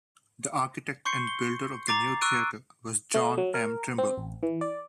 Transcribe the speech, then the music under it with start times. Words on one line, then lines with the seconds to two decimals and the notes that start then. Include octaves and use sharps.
The architect and builder of the new theatre was John M. Trimble.
1.05 C6 C#6 G6 C7 C#7
1.27 G7
1.87 A#5 D6 A6 C7
2.21 C#6 E6 F#6 D7 D#7
3.14 A3
3.38 F#3
3.54 A#4
3.98 C4
4.18 A1
4.43 E3
4.61 D5